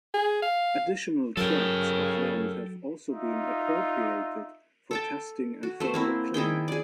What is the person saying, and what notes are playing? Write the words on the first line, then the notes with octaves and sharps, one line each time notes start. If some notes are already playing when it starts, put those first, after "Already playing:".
Additional tracts of land have also been appropriated for testing and further cleanup.
G#4
F5
C#3 F#3 A4 A#4 G5
D#4 F4 E5
A4 G5 A5
F#4
A3 C5
A#3 C4 E4
D#3 E4 G#4 G5
G#4 D5